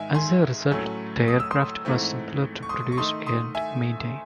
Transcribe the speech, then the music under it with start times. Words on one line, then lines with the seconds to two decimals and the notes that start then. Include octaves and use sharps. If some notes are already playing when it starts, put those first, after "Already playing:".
As a result, the aircraft was simpler to produce and maintain.
Already playing: G#2 D#3 G#3 E5 G#5
0.14 G#5 C6
0.71 A2 F#3 A3 C#4
1.28 D#6
1.40 E6
1.51 C6 D#6
1.85 G#2 E3 A3 C4
2.63 C#6
2.69 C6 D#6
2.92 C#6
2.97 D#3 A3 D#4 C6 D#6
3.26 C6 D#6
3.55 E5 G#5